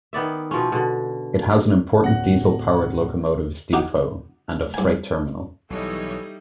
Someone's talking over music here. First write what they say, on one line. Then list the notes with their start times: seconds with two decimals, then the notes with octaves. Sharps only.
It has an important diesel-powered locomotives depot and a freight terminal.
0.13 D#3 B3 D5 E5
0.51 B2 F3 C4 C#4
0.72 B2 D3
2.02 D1 F#5 A#6
3.73 D#4 F#4 G4
4.74 G2 G#5
5.70 B1 E3 G3 D#4 E4 A4 C#5 D#5